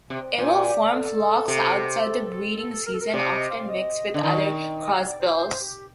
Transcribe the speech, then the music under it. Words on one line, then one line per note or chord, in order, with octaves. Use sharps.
It will form flocks outside the breeding season, often mixed with other crossbills.
C3
A#2
F4
G4
F4
G4
A4
C3
A4
A4
A4
A#4
A4
A#4
C3 D5
D#5
F5
D5
D#5
D3
D#3
D#5
F5
D5
C5
C5
G4